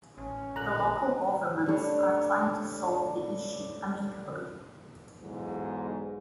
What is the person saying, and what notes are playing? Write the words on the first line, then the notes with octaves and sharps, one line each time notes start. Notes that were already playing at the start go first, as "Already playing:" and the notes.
The local governments are trying to solve the issue amicably.
A1 C#4
A#2 D3 A#5 F#6
G3 A3 D4 C#5
B1 E2 G#2